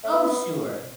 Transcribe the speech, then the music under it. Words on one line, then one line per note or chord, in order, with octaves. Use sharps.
Oh, sure.
A3
B3